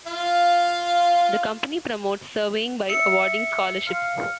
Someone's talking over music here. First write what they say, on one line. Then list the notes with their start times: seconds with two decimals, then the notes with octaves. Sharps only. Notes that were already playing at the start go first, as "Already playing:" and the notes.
The Company promotes surveying by awarding scholarships.
0.07 F4 F5
2.90 E5 C#7
3.87 F5